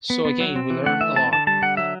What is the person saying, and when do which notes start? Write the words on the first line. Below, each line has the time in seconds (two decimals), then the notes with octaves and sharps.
So again, we learned a lot.
0.10 B3
0.25 B3
0.40 F#3
0.56 C4
0.70 E3
0.86 A3 F#5
1.01 E3 E5
1.16 C4 A5
1.32 D3 A5
1.47 G3 A5
1.62 D3 F#5
1.77 F#3 E5